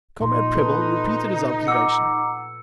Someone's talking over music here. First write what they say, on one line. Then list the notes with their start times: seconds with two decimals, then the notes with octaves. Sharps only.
Comrade Prebble repeated his observation.
0.21 A#2 D#4 C6
0.55 A4 B4
1.67 F#5 A#5 D6 E6 C#7